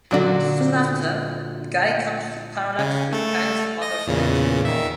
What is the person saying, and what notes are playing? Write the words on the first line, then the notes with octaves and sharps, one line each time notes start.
Soon after, Guy comes to Parallax with Kyle's mother's painting.
A#2 D3 F#3 D4 F#4
C#3
A3 A4
D#5 A#6
E2 A#2 C#3
D#3 E5